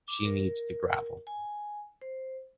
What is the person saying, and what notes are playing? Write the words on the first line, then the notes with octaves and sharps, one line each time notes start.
She needs the gravel.
D6
A#4
G#5
C5